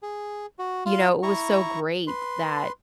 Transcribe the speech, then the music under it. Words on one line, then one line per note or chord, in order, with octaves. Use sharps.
you know, it was so great that
G#4
F#4
F4 F5 C6
E4 A#5 C#6
B4 C6